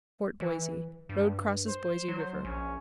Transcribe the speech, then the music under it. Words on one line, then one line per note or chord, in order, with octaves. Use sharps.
Fort Boise.--Road crosses Boise River.
E3
G2
C5
F#3
A#1 C#4